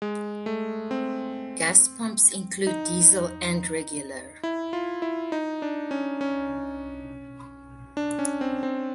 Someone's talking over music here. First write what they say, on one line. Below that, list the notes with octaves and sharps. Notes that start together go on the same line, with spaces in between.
Gas pumps include diesel and regular.
G#3
A3
C4
D#4
E4
F4
E4
D#4
D4
C#4
C#4
D4
C#4
C4
C4